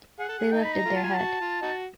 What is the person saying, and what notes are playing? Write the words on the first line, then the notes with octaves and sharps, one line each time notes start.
They lifted their head.
G#4 F#5
A4
G#4
D#4 G5
B5
A#5
A3 F4
A5
G#5
A5
F#4
F4
D#4 F#4